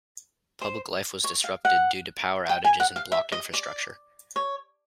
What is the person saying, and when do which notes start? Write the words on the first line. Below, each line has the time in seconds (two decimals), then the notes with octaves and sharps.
Public life was disrupted due to power outages and blocked infrastructure.
0.61 C5
1.24 C#5
1.44 F5
1.65 F#5
2.49 G5
2.65 G#5
2.80 F#5
2.96 F5
3.12 E5
3.32 D#5
3.54 D5
4.36 C#5